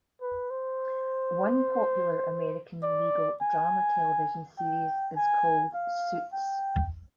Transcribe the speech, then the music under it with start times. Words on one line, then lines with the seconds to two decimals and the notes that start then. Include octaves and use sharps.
One popular American legal drama television series is called Suits.
0.21 B4
0.51 C5
2.83 D5
3.42 G#5
4.58 G5
5.17 G#5
5.74 F5
6.33 G5